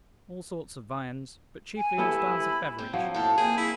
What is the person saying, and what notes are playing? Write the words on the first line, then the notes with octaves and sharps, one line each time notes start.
All sorts of viands, but chiefly all styles of beverage.
G#5
G3 B3 E4 A4
B5
C4
F3 F#3 E4
A2 C4 A4
A#3 C4 G#4
E4